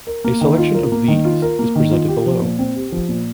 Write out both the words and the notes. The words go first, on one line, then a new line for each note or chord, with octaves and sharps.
A selection of these is presented below.
A#4
A#3
D#3
F4
A#4
A#3
D#3
F4
A#4
A#3
D#3
F4
G4
F3
A#2
C4
G4
F3
A#2